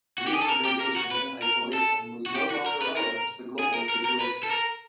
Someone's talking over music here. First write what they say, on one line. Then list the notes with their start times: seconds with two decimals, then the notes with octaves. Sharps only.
Viewing irrigation in isolation was no longer relevant to the global situation.
0.18 F#4
0.27 G4
0.34 G#4
0.42 A4
0.50 A#4
0.65 G4
0.80 A#4
0.96 F#4
1.11 B4
1.42 A#4
1.73 A4
2.26 F#4
2.36 G4
2.51 F#4
2.66 A#4
2.82 B4
2.97 A#4
3.59 G#4
3.74 A#4
3.90 A#4
4.05 A#4
4.21 B4
4.43 A4
4.51 A#4